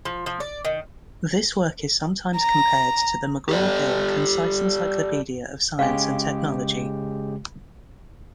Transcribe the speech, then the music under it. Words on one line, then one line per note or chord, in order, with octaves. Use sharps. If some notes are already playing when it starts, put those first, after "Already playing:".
This work is sometimes compared to the "McGraw-Hill Concise Encyclopedia of Science and Technology".
F3
F3
D5
D#3
A#5
G4 A4 D5
C#3 G#3 G4 F5 G#5